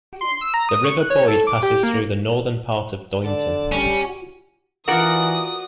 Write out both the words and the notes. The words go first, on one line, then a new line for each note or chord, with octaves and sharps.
The River Boyd passes through the northern part of Doynton.
C6
E6
A#5
D#6
C#6
F#6
C#5
A4
D6
G4
A#3
D3 D5 A5
G3 C#4
E3 F4 F#4 A#4 D5 F#5 D#6